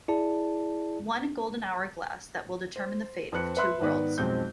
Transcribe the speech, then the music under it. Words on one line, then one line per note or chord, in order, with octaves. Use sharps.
One Golden Hourglass that will determine the fate of two worlds.
E4 G#4 D5 A5
C5
F2 B4 C5 F#6 C#7
B4 E5 C6 F#6
G#2 D#3 B3 B4 D5
B1 F2 G#3 C4 G6